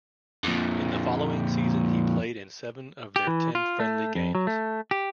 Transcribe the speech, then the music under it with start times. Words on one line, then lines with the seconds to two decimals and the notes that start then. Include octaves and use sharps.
In the following season he played in seven of their ten friendly games.
0.44 F2 A#2
3.16 G4
3.27 E3
3.55 F4
3.80 A3
4.15 F2
4.35 F#3
4.47 A3
4.91 G4